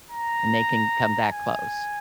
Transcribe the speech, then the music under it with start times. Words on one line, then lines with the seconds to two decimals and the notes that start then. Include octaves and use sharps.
and they can come that close.
0.11 A#5
1.32 G#5